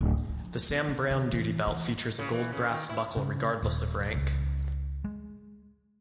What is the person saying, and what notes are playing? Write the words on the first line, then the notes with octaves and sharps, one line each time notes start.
The Sam Browne duty belt features a gold brass buckle regardless of rank.
D1
A#2
F3
B3
C4
D#3
E3
E3
C#3
E3
C#3
D#3
E4
C#3
D#1
C#2
G#3